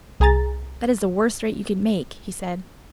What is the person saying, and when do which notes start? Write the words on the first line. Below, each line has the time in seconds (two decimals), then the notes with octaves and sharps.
"That is the worst threat you could make," he said.
0.20 C2 G#4 G#5 A#5 A6